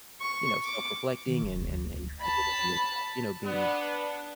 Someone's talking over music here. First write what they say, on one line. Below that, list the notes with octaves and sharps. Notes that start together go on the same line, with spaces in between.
you know, self-reflecting and and and your identity and, uh, you know, being
C#6
D6
D#3
E1
D2
D2
A5 B5
B3 D4